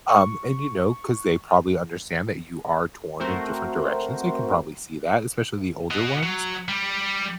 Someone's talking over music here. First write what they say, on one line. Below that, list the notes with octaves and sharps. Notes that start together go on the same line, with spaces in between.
Um, and, you know, 'cause they probably understand that you are torn in different directions, they can probably see that, especially the older ones.
C#6
A3 C4 F#4 A#4 C5
F#4 D#5
F#3
G3